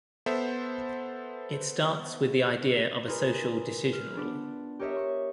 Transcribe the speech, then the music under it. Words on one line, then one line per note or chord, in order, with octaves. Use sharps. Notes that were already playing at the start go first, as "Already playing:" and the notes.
It starts with the idea of a social decision rule.
B3 A4 C5 E5
D#4 F4 G#4 A#4 B4
F6
B3 D4
G4 A#4 C#5 D#5 E5
C#6